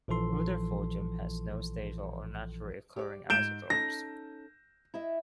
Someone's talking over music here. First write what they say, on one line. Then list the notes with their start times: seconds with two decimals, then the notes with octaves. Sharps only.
Rutherfordium has no stable or naturally occurring isotopes.
0.08 A#1 E3 F3 A4 C6
2.96 G4 C#5 D5
3.30 G#2 G6 D7 E7
3.70 C#4 D#4 A4 A#6
4.94 E4 D#5 E5